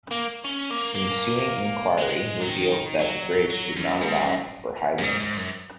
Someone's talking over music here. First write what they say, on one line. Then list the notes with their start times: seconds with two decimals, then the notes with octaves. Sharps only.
The ensuing enquiry revealed that the bridge did not allow for high winds.
0.11 A#3
0.44 C#4
0.71 A#3
0.95 A#3
1.98 G#3
2.41 F#3
2.49 D#3
2.99 F#3
3.50 F#3
3.76 F#2
4.01 G#2
4.19 F#2
4.98 F#2
5.03 G#2
5.20 G#2
5.37 F#2